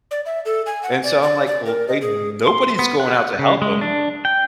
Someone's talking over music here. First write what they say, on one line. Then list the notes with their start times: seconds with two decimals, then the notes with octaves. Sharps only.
and so I'm like, "Okay, nobody's going out to help ‘em.
0.11 D5
0.26 E5
0.45 A4
0.66 G#5
0.83 F#5
1.04 D5
1.23 D5
1.47 D5
1.66 A#4
1.88 D#5
2.01 G#4
2.47 C6
2.79 B3
3.00 F#5
3.39 C#3
3.62 G#3
3.81 D4
4.25 G5